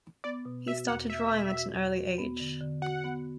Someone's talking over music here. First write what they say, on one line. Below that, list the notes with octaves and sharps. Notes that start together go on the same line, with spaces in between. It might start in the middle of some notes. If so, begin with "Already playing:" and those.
He started drawing at an early age.
B3 D5
B2
F#4 E5
E2 F#5
B3 E5
B2
F#4
E2
F#4
B3
D3
D3
F#4 F#5
B3